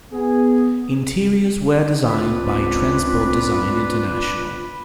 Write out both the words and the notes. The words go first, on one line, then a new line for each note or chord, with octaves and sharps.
Interiors were designed by Transport Design International.
B3 G#4
C#2 C4 D4 F4 B4